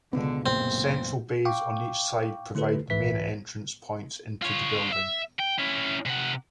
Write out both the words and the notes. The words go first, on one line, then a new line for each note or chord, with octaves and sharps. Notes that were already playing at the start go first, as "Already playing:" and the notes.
The central bays on each side provide the main entrance points into the building.
C#2 B2 D3 B3 C#4 D4
A1 F#2 A#2 D3 C4
F5 G5 C#6 D6
D3 A3 E4 G4 A4 B4
C2 G#2 E3 B4 E5 B6
F4 C#5
E5
G5
C#4 E4
C3 F#5